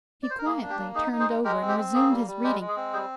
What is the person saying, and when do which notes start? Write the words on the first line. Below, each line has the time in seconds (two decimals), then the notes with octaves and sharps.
He quietly turned over, and resumed his reading.
0.23 D5
0.30 C5
0.38 A#4
0.45 A#3 G#4
0.62 D4
0.70 G4
0.79 A#3
0.95 D#4 G#4
1.12 D#4
1.20 G#4 C5
1.28 G#3
1.44 G#3 G4 A#4
1.62 C4
1.69 G4
1.78 C4
1.94 A#3 G#4
2.10 G3
2.27 G3
2.44 G#3 G4
2.61 G#3
2.68 G#4
2.77 C4
2.93 G3 G#4 C5